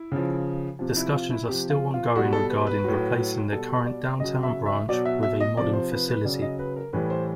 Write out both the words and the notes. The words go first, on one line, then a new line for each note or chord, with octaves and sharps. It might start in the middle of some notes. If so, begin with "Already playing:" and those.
Discussions are still ongoing regarding replacing the current downtown branch with a modern facility.
Already playing: E4
C#3 F3
C3 F3
E4
F4
E4
C3 F3 G4
F4
F4
B2 G3 F#4
A4
B4
B4
A2 F#3
B2 G3 A4
D5
C#3 F#3 D#5
E5
E5
B2 F#3 D5
E5
E5
D#5
C3 F3 D5
C5
B4
B4
C#3 F#3 D5
D#5
B4
A#4
A2 E3 G3 B4
C5